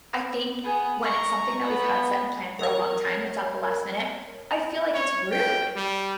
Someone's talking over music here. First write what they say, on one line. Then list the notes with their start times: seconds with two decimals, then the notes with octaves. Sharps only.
I think when it's something that we've had set and planned for a long time and it's at the last minute, I feel like it's rude.
0.63 B3 G#4
1.02 A#5 C#6
1.60 B3
2.59 A#4 C#5
4.94 C#5
5.32 G5
5.76 G3